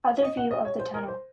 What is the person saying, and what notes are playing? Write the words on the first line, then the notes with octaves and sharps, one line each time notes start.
Other view of the tunnel.
D#5
F#5
D#5
C#5
C5
A#4
C5